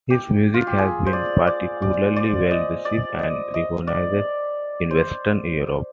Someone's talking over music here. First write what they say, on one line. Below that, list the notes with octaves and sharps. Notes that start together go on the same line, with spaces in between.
His music has been particularly well received and recognised in Western Europe.
G4
F4
G4
G#4
C5
D5
D5
D5
D5
D#5
D5
D#5
D#5
D5
C5